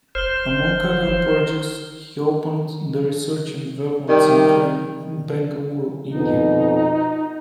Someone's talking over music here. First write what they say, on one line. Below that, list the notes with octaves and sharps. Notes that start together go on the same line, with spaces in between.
Among other projects, he opened the Research and Development center at Bengaluru, India.
F#1 C5 F6 G7
D#3 G3
F2 B2 D#4